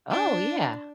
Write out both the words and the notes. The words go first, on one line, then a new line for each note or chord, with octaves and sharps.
Oh, yeah.
D4